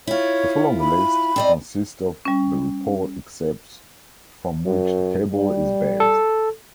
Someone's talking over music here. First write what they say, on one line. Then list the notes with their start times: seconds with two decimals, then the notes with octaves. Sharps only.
The following list consists of the report excerpts from which the table is based.
0.07 E4 F4 C#5
0.80 B5
1.36 C4 D5 D#5
2.25 G3 C#4
4.66 F#2
5.32 G3
6.00 A4